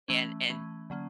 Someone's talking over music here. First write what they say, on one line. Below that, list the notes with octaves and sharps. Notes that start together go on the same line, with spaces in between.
and and
E3 A3 C#4
E3 A3 C#4
D3 F#3 A#3 C#4